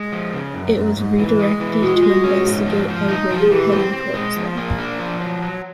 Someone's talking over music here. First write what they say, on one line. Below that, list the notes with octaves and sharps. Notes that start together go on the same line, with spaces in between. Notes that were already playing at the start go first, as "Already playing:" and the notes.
It was redirected to investigate a raid heading towards them.
Already playing: G#3
F3
C#3
F#2
F#2
G#2
E3
G#3
E3
G#3 F#4
F4
G#3
F#4
C#4
G#2
F3
F3
D#4
F3
G#4
E3 G4
C4
C4
G#3
F3
A#3
D4
F3
F#3
F#3